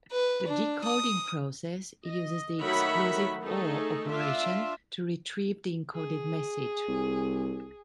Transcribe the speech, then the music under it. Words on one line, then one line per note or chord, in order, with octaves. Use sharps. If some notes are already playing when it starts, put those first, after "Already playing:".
The decoding process uses the "exclusive or" operation to retrieve the encoded message.
B4
D4
D#6
D#5
D#3 F#3 A3 E5 F#5 B5
A3 D#4 G#4 A4
D4 F4 E5
G#4
C2